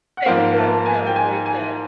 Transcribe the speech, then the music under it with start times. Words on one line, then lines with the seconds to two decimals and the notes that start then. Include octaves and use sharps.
thank you, I hope you have a great day.
0.17 F#5
0.26 G#2 F3 A#3 F5
0.56 A5
0.86 G#5
1.06 G5
1.16 G#5
1.46 G#5